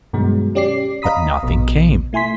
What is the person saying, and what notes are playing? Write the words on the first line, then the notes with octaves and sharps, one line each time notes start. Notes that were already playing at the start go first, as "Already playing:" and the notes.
But nothing came.
G2 B2 D#3 F#3 G#3
C#4 G4 D5 D6 C7
D#5 F5 A#5 B5 D#6 B6
A#1 B2
A3 E4 G#5 C6 B6